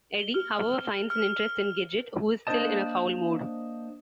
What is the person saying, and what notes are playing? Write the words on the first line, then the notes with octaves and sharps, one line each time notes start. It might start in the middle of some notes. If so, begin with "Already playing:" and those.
Eddie, however, finds an interest in Gidget, who is still in a foul mood.
G7
F6
F6
A#3 D4 D#4 C5 D#5 A5